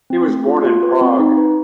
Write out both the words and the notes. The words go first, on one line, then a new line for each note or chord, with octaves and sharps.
He was born in Prague.
C4
A3
F4
F4
B4
C4
D#4
B4